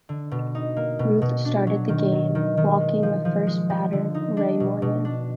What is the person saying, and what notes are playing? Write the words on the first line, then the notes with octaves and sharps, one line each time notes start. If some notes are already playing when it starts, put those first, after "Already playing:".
Ruth started the game, walking the first batter, Ray Morgan.
D3
B2
D#4
A#3
B2
B2
D4
F#3
D#3
F#3
D#3
D#3
G#3
F3
F3
G#3
F3
D3
D#4
D4
B2
B2
D4